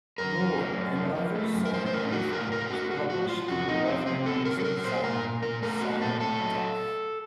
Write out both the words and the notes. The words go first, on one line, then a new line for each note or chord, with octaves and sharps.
Moore and other Sonic Youth members published the irreverent music zine "Sonic Death".
F#2 A#4
F#2
A3
F#2
F3
F3
A3
F#2
A#4
A2 C5
C5
A2 A#4
A3 F#4
A2 A#4
A2 A#4
A3 F#4
A2 F#4
A2 F#4
F#3 F4
F2 F#4
F2 D#4
C3 C4
C3 C4
C3 A4
F#3 A#4
A4
F#3 A#4
A#2 C5
A#2 A#4
A#2
A#2 A#4
A3 A#4
A#2 F#4
A#2 A4
A3 A4
F#3